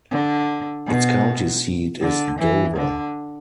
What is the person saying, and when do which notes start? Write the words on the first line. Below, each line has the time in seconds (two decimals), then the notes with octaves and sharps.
Its county seat is Dover.
0.11 D3
0.87 B2
2.01 D3
2.39 E3
2.76 D3